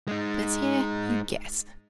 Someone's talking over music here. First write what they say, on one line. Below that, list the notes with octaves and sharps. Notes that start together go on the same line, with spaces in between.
Let's hear you guess.
G#3 D#4